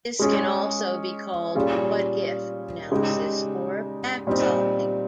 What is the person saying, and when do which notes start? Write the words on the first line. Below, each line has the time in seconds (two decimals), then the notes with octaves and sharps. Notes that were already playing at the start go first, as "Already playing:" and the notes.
This can also be called what-if analysis or back-solving.
0.20 G#3 C#4 G#4
1.55 A#2 G3 C#4 F4 G#4
2.92 C#3 G#3 D#4 G4
4.27 A#2 G3 C4 D#4